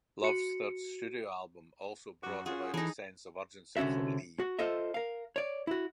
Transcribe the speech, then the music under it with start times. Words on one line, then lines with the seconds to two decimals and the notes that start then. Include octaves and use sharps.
Love's third studio album also brought about a sense of urgency for Lee.
0.23 F#4 C#7
2.23 F#2 F#4 D6
2.46 C#4 F4 F#4 G#4 F#5
2.74 E3 D#4 G#4 A4
3.77 C2 D3 C#4 F#4 E5
4.39 F#4
4.59 F4 A4 C5 D#5 E5
4.94 A#4 F5
5.36 C#5 D5
5.67 E4 F#4